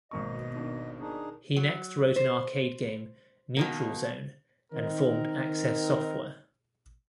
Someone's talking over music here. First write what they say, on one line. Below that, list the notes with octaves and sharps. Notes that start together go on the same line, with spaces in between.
He next wrote an arcade game, "Neutral Zone", and formed Access Software.
G#1 B2 A#3 D#5 C#6
D#3 D4 D#4
D#3 D4 D#4 G#4
F#3
C5
B2 D#3 A#3
D#3 C4 D#4 A#4